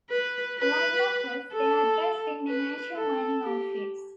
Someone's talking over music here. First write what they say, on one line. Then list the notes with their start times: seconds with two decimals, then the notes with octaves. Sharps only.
Like Knockers, they are dressed in miniature mining outfits.
0.10 B4
0.59 B4
1.53 A4
2.48 B4
2.96 A4
3.43 G4